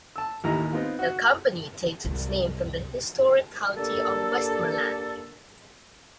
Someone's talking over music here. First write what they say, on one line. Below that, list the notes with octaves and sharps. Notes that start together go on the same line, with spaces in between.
The company takes its name from the historic county of Westmorland.
A5 E6
A1 D#2 D#4 E4 A#5
B3 C4 D#4 F4
F#4 F#5
C2
A#3 D4 G4 A4